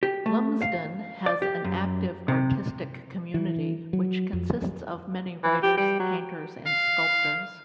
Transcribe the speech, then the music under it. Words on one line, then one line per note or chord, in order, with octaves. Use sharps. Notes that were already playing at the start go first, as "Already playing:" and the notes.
Lumsden has an active artistic community, which consists of many writers, painters and sculptors.
G4
A3
F5
D5
G4
F#2
C3
E3
F#3
F2
E3
G4
G3
F#3
F5